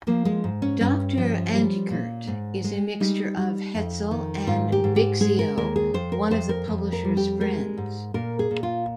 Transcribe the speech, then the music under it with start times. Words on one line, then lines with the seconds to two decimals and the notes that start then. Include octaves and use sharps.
Doctor Antekirtt is a mixture of Hetzel and Bixio, one of the publisher's friends.
0.07 F3 A#3
0.25 G#3
0.44 G#2
0.62 C#4
0.80 G2 C#4
1.17 F3
1.54 G3
1.90 A#2
2.27 G#2
2.64 G#3
3.00 G3 D#4
3.37 G3
3.74 F2
4.11 D#3
4.47 G#2 F4
4.72 G4
4.84 G#2
4.96 G4
5.20 G#3 G#4
5.39 A#4
5.57 D#2 A#4
5.76 G#4
5.94 F2 C5
6.12 A#4
6.31 F2 C5
6.49 A#4
6.68 F2
6.92 A#4
7.05 G3
7.17 G4
7.40 G#3 A#4
7.78 G#2
8.14 A#2 A#4
8.39 G#4
8.51 A#2
8.63 F4